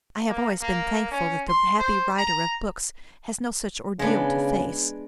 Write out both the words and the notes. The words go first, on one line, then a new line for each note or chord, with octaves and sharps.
I have always been thankful that the happy writer of books has no such ordeal to face.
A#3
A#3
C#4
C6
C5
A#5
C#3 G#3 B3 D4